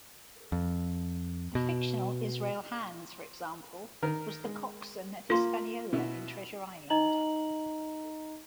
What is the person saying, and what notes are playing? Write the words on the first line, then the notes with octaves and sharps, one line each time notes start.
The fictional Israel Hands, for example, was the coxswain of "Hispaniola" in "Treasure Island".
F2
B2
D#3 A#4
G#3
A#3 F4 C6
B2 E4
D#4 D#5 A#5 F#7